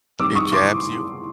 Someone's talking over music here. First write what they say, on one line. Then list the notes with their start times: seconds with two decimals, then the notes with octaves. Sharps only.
It jabs you.
0.19 D#3 G3 C4 D6 E6
0.35 C#6 D#6
0.52 C6 D6